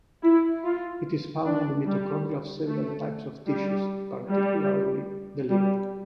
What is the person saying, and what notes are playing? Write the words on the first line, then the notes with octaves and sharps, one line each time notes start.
It is found in the mitochondria of several types of tissues, particularly the liver.
E4
F4
D4
G3
A3
G3
G3
G3